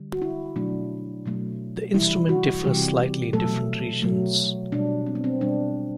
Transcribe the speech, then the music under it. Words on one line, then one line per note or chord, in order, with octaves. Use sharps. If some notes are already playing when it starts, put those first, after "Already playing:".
The instrument differs slightly in different regions.
Already playing: D3 G3
F#4
E4
B2 F#3 A3 D4
B2 F#3 A3
C3 E3 G3 E4
F#4
C3 E3 G3 G4
B2 F#3 A3 A4
B2 F#3 A3
B2 G3 D4
C4
B3
C4
B2 G3 D4